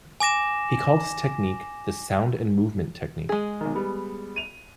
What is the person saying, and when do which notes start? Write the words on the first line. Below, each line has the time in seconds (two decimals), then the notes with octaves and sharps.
He called his technique the "sound and movement" technique.
0.20 G#5 D6 A#6 E7
3.29 G#3 G#4
3.61 B1 D#3
3.75 G3 B3
4.36 D#7 F7